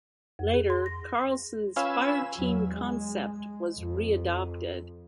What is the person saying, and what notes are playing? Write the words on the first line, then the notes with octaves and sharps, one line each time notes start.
Later, Carlson's fireteam concept was re-adopted.
F2
G#4
C6
A#6
C#4 F4 B4 F5 G#5 E6
E2 F#3
G#3
F2